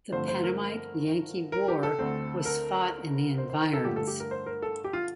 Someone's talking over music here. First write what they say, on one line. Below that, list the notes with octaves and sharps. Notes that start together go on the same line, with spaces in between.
The Pennamite-Yankee War was fought in the environs.
G2 D3 F3 A3 C4 C5
C5
A#4
A#4
G4
A4
D2 D3 A3 C4
A#4
C5
C5
A#4
A4
G2 D3 A3 G4
A4
G4
A#4
C5
A#4
A4
G4
F4